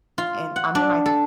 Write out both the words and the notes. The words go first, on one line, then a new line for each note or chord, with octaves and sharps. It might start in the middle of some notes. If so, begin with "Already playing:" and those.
and I'm in my
F4
F#5
D4
A4